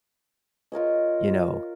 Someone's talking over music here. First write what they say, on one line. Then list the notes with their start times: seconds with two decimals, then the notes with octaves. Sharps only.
you know,
0.72 F4 A#4 C#5 D#5